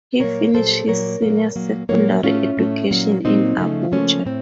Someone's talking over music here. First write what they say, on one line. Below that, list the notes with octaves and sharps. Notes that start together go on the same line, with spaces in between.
He finished his senior secondary education in Abuja.
A#2 F#3 A#3 A#4 C#5
A#2 F#3 A#3 A4 C5
A#2 F#3 A#3 A#4 C#5
A#2 F#3 A#3
A#2 F#3 A#3
A#2 F#3 A#3 A#4 C#5
A2 A3 C#4 F4
A2 A3
A#2 F#3 A#3
A#2 F#3 A#3 C4 D#4
C#3 F3 A3
C#3 F3 A3 A#3 C#4
A2 C4